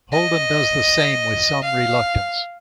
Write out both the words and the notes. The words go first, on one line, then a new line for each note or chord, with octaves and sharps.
Holden does the same with some reluctance.
D#5
F5